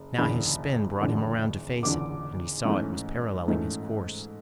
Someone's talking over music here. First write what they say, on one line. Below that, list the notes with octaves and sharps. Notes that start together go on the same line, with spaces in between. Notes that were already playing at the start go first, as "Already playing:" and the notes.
Now his spin brought him around to face it, and he saw it was parallelling his course.
Already playing: F#1
F#1 E2 D3 B5
F#1 E2 D3
F#1 E2 D3 D6
G#2 E3 A3 C#4
G#2 E3 A3 C#4